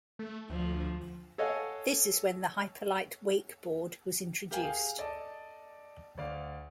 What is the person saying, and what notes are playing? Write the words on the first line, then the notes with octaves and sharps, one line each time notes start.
This is when the Hyperlite wakeboard was introduced.
A3
D2 F3
A4 C#5 D#5 F5 F#5 G#5
G4 A#4 F5 G5 G#5
G#4 F5
A4 D5 D#5 A5
D2 D5 F5